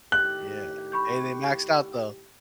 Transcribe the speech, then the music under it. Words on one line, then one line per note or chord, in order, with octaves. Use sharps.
Yeah, and they maxed out, though.
A2 D#3 G4 F#6
B5 C#6 G6